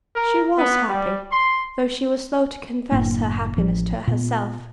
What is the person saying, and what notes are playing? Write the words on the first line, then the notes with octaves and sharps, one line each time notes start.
She was happy, though she was slow to confess her happiness to herself.
A#4
B3
G3
C6
F#1 A2 A#3 D4
A1 F3
A#2 B3